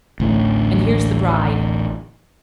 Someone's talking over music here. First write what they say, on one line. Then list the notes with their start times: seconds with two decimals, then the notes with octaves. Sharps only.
And here's the Bride!
0.20 A1 D2 E3